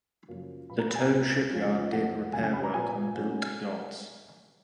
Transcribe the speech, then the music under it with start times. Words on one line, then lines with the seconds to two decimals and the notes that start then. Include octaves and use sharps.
The tow shipyard did repair work on built yachts.
0.28 F#2 C#3 F3 A#3
0.70 A#2 F3 B3 B5
0.79 A#5
0.90 B5
0.95 G#5
1.00 A#5
1.10 C#2 B2 A#3 C#4
1.51 F2 C#3 F3 G#3 C#4
1.92 F2 F3 A#3 F#5
2.33 F#2 C#3 F#3 G#5
2.43 G#5
2.53 B5
2.64 A#5
2.74 A#2 F3 B3 G#5
3.14 G#2 F#3 C#4